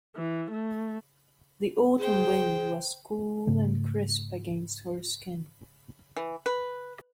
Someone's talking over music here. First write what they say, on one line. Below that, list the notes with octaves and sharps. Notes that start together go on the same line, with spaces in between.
The autumn wind was cool and crisp against her skin.
E3
A3
G#4 C5 G5
G#2 C#3 A3
E3
B4